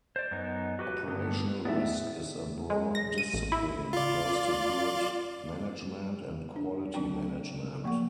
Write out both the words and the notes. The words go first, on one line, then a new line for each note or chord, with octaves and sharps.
Operational risk is a broad discipline, close to good management and quality management.
C5 D5
F#2 B3 D#4
F#4 G4 B4
G2 D3 B3
E2 A2 D#3 B3 D5 E5
G#3
A#6
D#7
A1
E4
F4 D5
D4
F#3 C4 D4 G5
F3 A#3 F#5 C#6